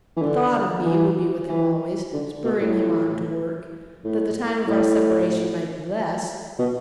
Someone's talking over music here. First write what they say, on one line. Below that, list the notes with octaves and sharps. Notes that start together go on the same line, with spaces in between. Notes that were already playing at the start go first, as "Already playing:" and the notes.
The thought of me would be with him always, spurring him on to work, that the time of our separation might be less.
E3
D3
E3
E3
D3
B2
A2
A2
A2
B2